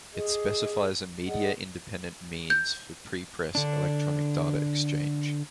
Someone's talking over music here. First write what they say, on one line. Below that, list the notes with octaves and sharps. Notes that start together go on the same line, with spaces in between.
It specifies a media-independent means for prepress electronic data exchange.
G4 G#4 D#5
G#4 D5 D#5 F#5
G6
D3 D4